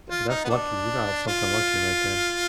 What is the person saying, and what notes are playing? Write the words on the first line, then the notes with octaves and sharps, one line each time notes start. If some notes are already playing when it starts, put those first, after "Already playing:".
tha that's lucky. You got something lucky right there.
F4
D#4
B3
D4
F4